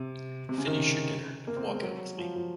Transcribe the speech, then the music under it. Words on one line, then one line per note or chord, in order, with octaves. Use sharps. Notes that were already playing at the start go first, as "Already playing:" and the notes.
Finish your dinner, and walk out with me.
Already playing: C3
C3
C#3
D#3
A#3
C4
G#3
A#3
F#3
F3
F3